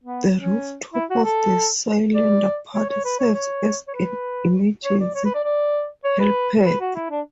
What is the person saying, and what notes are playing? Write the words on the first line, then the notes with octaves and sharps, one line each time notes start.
The rooftop of the cylinder part serves as an emergency helipad.
B3
C#4
E4
F#4
A4
D5
C#5
C#5
B4
C#5
C#5
C#5
B4
C#5
D5
C#5
B4
D5
D5
C#5
B4
B4
F#4
E4
D4